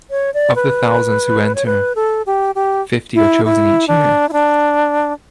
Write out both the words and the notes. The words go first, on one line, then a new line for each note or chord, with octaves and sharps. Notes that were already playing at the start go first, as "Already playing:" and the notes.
Of the thousands who enter, fifty are chosen each year.
C#5
D5
B4
C#5
B4
A4
G4
G4
E4
E4
D4
E4
D4